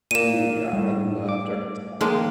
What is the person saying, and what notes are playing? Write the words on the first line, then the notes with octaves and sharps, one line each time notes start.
Ooh, yeah, I love dark roast coffee.
A#2 A#3 D#7 E7
A2 G3 A3
D6
D#3 F3 G#3 A#3